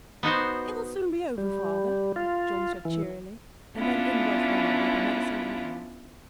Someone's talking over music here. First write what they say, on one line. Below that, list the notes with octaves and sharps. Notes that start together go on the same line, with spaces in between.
"It will soon be over, father," John said cheerily, and then in rushed Wendy with the medicine in a glass.
B3 D#4 F#4 C5
G3
F4
E3
B3 C#4 D4 E4 F4